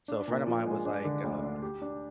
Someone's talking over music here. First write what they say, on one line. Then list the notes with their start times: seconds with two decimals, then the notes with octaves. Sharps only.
so, a friend of mine was, like, uh
0.08 D4
0.28 A#2
0.47 F3
0.66 G#3
0.85 D4
1.05 D3
1.24 D2
1.42 D4
1.62 G4
1.82 D4